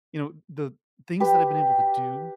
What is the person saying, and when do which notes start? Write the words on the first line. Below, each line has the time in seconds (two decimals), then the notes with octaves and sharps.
you know, the things that I've been able to do,
1.20 G4 B4